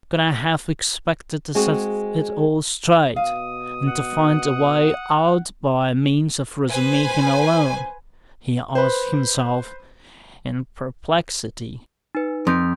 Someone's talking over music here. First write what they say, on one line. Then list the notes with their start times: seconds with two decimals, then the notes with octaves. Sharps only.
"Could I have expected to set it all straight and to find a way out by means of Razumihin alone?" he asked himself in perplexity.
1.55 G#3 C4 F#4 G#4
3.16 B2 F5 D#6
3.87 F#5
6.70 B4 C5 G#5
8.75 B4 C5
12.15 D#4 B4
12.47 F2 C6 G6 D7